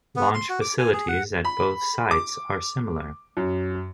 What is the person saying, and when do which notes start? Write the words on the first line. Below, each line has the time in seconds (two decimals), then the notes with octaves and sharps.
Launch facilities at both sites are similar.
0.16 B3
0.34 C6
0.49 F#4
0.61 D6
0.79 G#5
0.93 G#4
1.08 F#5
1.45 B5
2.11 D6
3.37 F#2